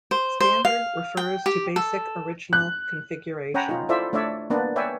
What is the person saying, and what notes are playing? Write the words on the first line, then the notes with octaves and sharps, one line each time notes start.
Standard refers to basic original configuration.
C5
C5
F5
G5
G4
A4
F#6
C#4 C#5 F#5 G5 A#5 B5
D#4 F4
E4 F4 A4 C5 D5 E5
A3 D4 C#5 D5 E5
A#3 B3 D4 B4
B4 C#5 D5 E5 G5 G#5